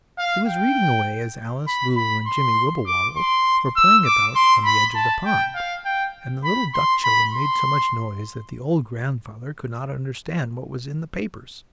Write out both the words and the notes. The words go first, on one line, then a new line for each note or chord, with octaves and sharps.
He was reading away as Alice, Lulu and Jimmie Wibblewobble were playing about on the edge of the pond, and the little duck children made so much noise that the old grandfather could not understand what was in the papers.
F5
G5
B5
B5
C6
D6
C6
E6
D6
C6
B5
A5
G5
F5
G5
B5
C6
B5
C6